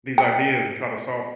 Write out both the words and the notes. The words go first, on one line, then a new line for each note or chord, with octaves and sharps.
these ideas and try to solve
G5